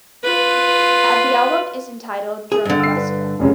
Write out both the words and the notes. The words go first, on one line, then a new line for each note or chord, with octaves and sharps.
The album is entitled "Drumquestra".
F4 B4
G#4
G2 D3
E6 C7
D4 B4
F1 F#2 C#3